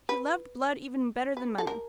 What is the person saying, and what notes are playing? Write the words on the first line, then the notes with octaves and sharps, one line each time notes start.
He loved blood even better than money.
B4
B4
A4
A#4